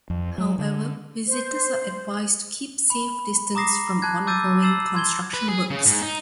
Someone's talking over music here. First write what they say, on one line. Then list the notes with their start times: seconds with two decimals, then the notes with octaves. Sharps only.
However, visitors are advised to keep safe distance from ongoing construction works.
0.10 F2
0.38 F#3
0.58 D3
1.27 C5
2.90 B5
3.55 A#5 D6 D#6 A#6 C7
4.02 A5 F#6 G#6
4.27 D6 E6 G6 A6 D#7
4.62 E6 A6 C7 E7 F#7
4.95 C6 G#6 G7
5.34 B4
5.49 G#4
5.70 C#3
5.86 G#2
6.02 D#4